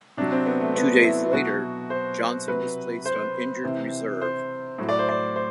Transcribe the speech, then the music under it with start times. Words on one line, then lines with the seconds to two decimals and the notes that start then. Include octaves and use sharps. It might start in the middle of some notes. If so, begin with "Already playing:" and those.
Two days later, Johnson was placed on injured reserve.
0.17 C3 F#3 D4
0.32 C4
0.46 B3
0.61 A3
0.76 B3
1.04 E4
1.33 B2 F#3 F#4
1.90 C5
2.48 C3 F#3 B4
3.05 C5
3.63 C3 E3
4.21 C5
4.78 A2 F#3
4.89 D5
4.99 C5
5.09 D5
5.36 C5